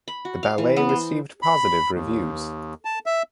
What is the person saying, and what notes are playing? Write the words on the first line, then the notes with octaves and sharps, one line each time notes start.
The ballet received positive reviews.
B5
F#4
F5
E3
B3
C5
B5
D#2
A5
E5